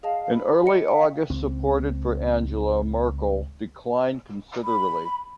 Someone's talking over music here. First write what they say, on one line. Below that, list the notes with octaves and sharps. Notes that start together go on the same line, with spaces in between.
In early August support for Angela Merkel declined considerably.
G#4 D#5 F5 A5
B5
D#5 C#7
E5 F5 G5
C#2 C4
B5